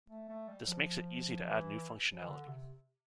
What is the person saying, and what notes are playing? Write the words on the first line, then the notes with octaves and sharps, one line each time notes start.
This makes it easy to add new functionality.
A3
A3
G3
F3
E3
F3
E3
D3
C3